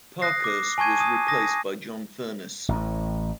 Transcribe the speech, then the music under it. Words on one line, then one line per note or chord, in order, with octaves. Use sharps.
Parkhurst was replaced by John Furness.
D#6 F#6 A#6 C7
D6
G#5 A5 C#6 G#6 D#7
D#6 D#7
D#6 A#6
A1 A2